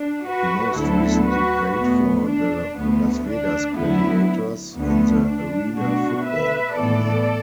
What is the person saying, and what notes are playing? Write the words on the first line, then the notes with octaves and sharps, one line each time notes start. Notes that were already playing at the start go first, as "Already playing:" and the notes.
He most recently played for the Las Vegas Gladiators in the Arena Football League.
Already playing: D4
F#4 B4
D2 D3 F#3 B3 E4 A4
F#4 B4
E2 B2 A3 B3
D4
D2 D3 A3 B3
D4
D2 D3 F#3 B3 E4
D2 D3 A3 B3
D4
B2 A3 D4 F#4
B4 E5
A2 E3 B3 A4 D5